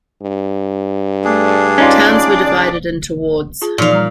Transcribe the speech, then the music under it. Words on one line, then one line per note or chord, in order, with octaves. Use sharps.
Towns were divided into wards.
G2
A3 D4 G#4
C#4 D#4 F4 D5
F4 G#4 A5
A#2 E3 F3 D#4 F5
G3 A#5